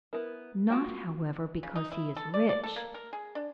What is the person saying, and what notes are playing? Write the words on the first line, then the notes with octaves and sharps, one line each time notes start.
"Not, however, because he is rich."
B3 E4 A#4
F4 F#4 G5
C#3
D#4
E4
A4
D5
D5
A4
A#3
A#4
G#4
D4